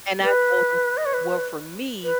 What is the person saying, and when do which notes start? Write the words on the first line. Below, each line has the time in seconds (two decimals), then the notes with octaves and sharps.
And I told him, "Well, for me,
0.24 B4
0.97 D#5
1.06 C#5
1.14 B4
2.04 B4